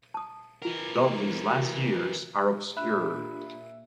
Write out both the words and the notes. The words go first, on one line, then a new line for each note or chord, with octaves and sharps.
Dudley's last years are obscure.
A5 D#6
E3 F4 A#4 F#5
F#4
A#2 D4 F4 G4 E5 B5 F#6